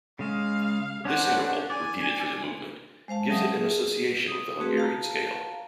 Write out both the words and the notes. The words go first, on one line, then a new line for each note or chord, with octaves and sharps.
This interval, repeated through the movement, gives it an association with the Hungarian scale.
C#3 G#3 F5
C#4 D4 C5 F#5
D5 G#5
G#3 C5 F5 A5
F#3 E5 A5 D#6
G#4
D#6
A3 C4 F#4 G#4 B4
F5 A5 A#5